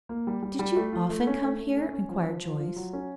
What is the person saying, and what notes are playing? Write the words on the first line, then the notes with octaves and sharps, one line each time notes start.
"Did you often come here?" inquired Joyce.
A#3
G3
G3
G3
A3
F4
A3
C#4
A3
A3
C#4
C#4
F3
F3
F3
F4
F#3
C#4